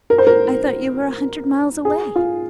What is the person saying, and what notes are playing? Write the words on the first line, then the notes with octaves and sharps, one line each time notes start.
I thought you were a hundred miles away.
A#4
C5
A#4
G#4
F4